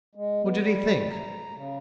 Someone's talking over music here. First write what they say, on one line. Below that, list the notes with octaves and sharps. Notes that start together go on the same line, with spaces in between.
What did he think?
G#3
B3
G3
A#5
C#3